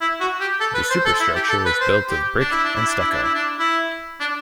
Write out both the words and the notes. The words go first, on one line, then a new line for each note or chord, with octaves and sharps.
The superstructure is built of brick and stucco.
E4
F#4
G4
A4
B4
C5
A4
E4
G4
A4
B4
C5
G4
D4
E4
D4
E4
D4
E4
D4
E4
D4
E4
D4